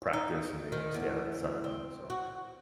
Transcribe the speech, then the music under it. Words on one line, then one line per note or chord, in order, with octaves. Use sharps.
practice and they wanna stay outta the sun so,
D#4
D#3
E2
C4
F#4